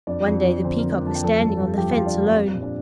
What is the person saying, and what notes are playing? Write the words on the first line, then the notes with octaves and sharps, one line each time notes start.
One day the Peacock was standing on the fence alone.
F2 D4 D5
F2
F3
D3 C4 C5
A#3 A#4
F2
D4 D5
F2
A5
G5
F3 A4 A5
G2
G2
F3 G4 G5
F4 F5
F3
D4 D5
G2 A#3 A#4
G3 C4
A#2
D4